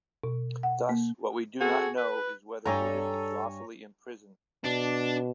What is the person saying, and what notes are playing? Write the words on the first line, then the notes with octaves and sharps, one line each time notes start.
Thus, what we do not know is whether Rudin is lawfully imprisoned.
B2
F#5
A#3
C4 F#4 G#4 A4
B4
G2 D4 G4 A4 C#5 G#5 A#5
B2 D4